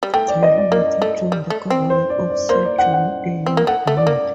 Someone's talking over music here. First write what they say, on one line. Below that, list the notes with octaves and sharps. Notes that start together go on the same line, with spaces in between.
Tilley later joined the government of Sir John A. Macdonald.
G3
A3 G5
D5
D#5
D5
A#3 D5
A3
G3
A3
C4
C5
D5
D5
A#3 C5
D5
F#5
F#5
C4
A#3
A3 F#5
A3
D5
A#3